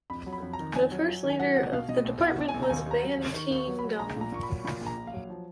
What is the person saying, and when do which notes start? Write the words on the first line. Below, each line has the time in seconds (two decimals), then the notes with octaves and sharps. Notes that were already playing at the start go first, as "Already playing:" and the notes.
The first leader of the Department was Van Tien Dung.
0.10 F2 B5
0.26 F#3
0.33 B5
0.42 F2
0.53 A#5
0.59 D#3
0.75 F2 G#5
0.91 F#3
1.08 F#3
1.24 D#3
1.30 G#5
1.40 F#3 F#5
1.57 B1 F#5
1.73 B2 F5
1.89 B2 D#5
2.05 B1
2.21 B1 F5
2.27 F#5
2.37 B1
2.49 G#5
2.54 B1
2.63 A#5
2.69 D#2 G#5
2.86 D#2 A#5
3.03 F#3
3.18 D#2
3.34 D#3 C#6
3.51 D#2
3.56 C#6
3.68 F#3
3.79 B5
3.84 F#3
3.99 A#1 A#5
4.16 A#2 A#5
4.32 A#2 C#6
4.43 B5
4.49 F#3
4.60 C#6
4.65 A#2 B5
4.81 A#1
4.86 A#5
4.97 A#1
5.07 F5
5.13 F#3
5.30 F3